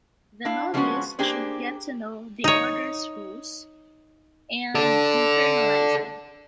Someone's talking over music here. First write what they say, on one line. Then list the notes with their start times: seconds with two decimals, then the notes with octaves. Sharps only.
The novice should get to know the order’s rules and internalize them.
0.45 D4 E4 F5
0.74 F3 G3 G#3 B3 C#4 F#4
1.19 A#3 D4 G4 G#4 C5
2.44 D#4 C#5
4.75 A4 D5